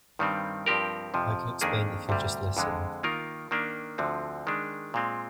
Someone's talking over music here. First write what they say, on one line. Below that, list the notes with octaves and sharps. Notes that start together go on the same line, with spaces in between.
I can explain if you'll just listen.
G2 D#3 G3 C4
G2 F3 C4 G4 A#4
F2 C3 F3
F2 D#3 A#3 D4 G#4
D2 C3 G3
F2 D3 G#3
D#3 A#3 F4 A#4
D#3 A#3 D4
D2 D3 F3 C4
D#3 G#3 D4
A#2 G#3 C4